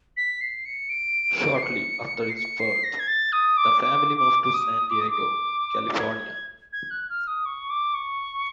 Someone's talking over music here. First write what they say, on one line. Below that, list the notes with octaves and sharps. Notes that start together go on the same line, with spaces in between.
Shortly after his birth, the family moved to San Diego, California.
B6
C7
C#7
D7
C7
C#7
C7
C#7
C7
A#6
G#6
A6
D#6
D6
D6
D6
D6
D#6
D6
D#6
D6
G#6
G#6
F#6
F6
D#6
C#6
D6
C#6